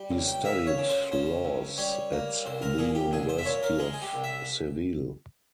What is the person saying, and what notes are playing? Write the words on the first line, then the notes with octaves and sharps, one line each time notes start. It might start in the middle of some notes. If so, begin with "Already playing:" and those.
He studied Laws at the University of Seville.
Already playing: G3
C#2
G5
A#3 E5
C#5
C#3
C5
C#3 C5
C#2
G3 C#5
A#3
C2 C5
A#4
A#2 G#4
G4
C2 G#4
C5
E5
A#2 C#5
A#4
G#3 G#4
G#4
G4
C2
E5